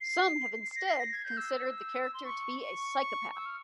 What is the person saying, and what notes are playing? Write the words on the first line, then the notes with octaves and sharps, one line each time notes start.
Some have instead considered the character to be a psychopath.
C7
A#6
C7
A#6
G#6
G6
E6
C6
C#6
C#6
E6
F6